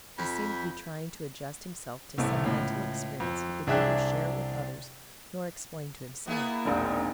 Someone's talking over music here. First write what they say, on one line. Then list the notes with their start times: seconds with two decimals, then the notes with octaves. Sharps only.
He seemed to be trying to adjust himself to some mental experience he could neither share with others nor explain to himself.
0.18 F2 B5
2.18 C2 A2 A3
2.44 C#2 A2
3.20 F2
3.67 C2 D4 G#4 E5 G5 F#6
6.27 A#3 B3 E4 G#4
6.65 E1 A#1 C4 D#4